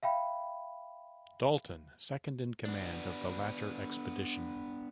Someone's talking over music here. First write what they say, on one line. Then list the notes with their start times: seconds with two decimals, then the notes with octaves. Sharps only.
Dalton, second-in-command of the latter expedition.
0.03 E5 F5 G5 B5
2.65 B3 D4